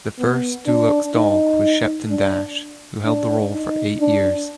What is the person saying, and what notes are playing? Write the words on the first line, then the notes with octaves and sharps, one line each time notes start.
The first Dulux dog was Shepton Dash, who held the role for eight years.
B3
D4
D#4
D4
D4
D#4
D4